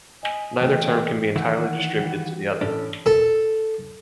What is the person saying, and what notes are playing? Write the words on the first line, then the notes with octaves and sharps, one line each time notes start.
Neither term can be entirely distributed to the other.
D#5 G#5 B6
E3 A3 D#5 G5
D5
D#3 E3 E4 F#5 A#6
G3
A2 C#4 D4 A4
A4